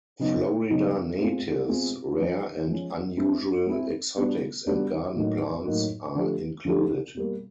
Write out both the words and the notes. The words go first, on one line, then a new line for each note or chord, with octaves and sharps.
Florida natives, rare and unusual exotics and garden plants are included.
C#3 F#3 B3 D#4
C#3 F#3 B3 D#4
B2 G#3 C4 F4 G#4
B2 G#3 C4 F4 G#4
F3 G#3 C#4
F3 G#3 C#4
G#3 C4 E4
G#3 C4 E4
B2 G3 B3 D4 F#4
B2 G3 B3 D4 F#4
A2 F#3 A#3 D#4 F#4
A2 F#3 A#3 D#4 F#4
D3 F3 A3 D4 G4
D3 F3 A3 D4 G4
B2 G3 A#3